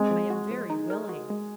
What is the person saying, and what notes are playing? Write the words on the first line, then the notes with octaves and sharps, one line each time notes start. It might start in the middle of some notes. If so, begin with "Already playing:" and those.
"I am very willing."
Already playing: G#3 C4
F3
F#4
F3
D#4
A#4
F#4
G#3